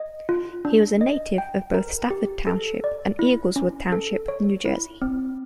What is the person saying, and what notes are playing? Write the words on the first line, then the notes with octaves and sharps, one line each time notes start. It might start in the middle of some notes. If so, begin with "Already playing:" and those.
He was a native of both Stafford Township and Eagleswood Township, New Jersey.
Already playing: D#5
F4
D4
D#5
G5
A#4
G4
A4
D5
E4
C#4
A4
C#5
E4
C4